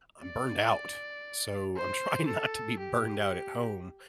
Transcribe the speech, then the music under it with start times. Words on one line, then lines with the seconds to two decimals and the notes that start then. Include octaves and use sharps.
I'm burned out. So I'm trying not to be burned out at home
0.23 D5
1.77 C5
2.28 A4
2.79 G4